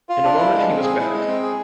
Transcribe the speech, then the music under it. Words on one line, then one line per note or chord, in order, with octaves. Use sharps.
In a moment he was back.
F4
D4
E4
G#3
C4
G#4
E4
G#3
C4
G#4